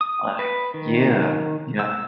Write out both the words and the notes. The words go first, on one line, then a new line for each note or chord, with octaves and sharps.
Like Yeah, yeah.
D#6
B4
D#3
E6